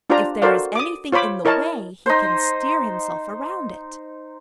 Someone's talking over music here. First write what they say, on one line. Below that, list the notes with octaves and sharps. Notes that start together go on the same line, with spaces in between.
If there is anything in the way, he can steer himself around it.
D4 F4 G4 C5 D5 A#5
F#4 A4 A#4 C5 D5 F5
D6 D#6
F4 C5 C#5 B5 D6
E4 A#4 C#5 D#5 A5
D#4 C5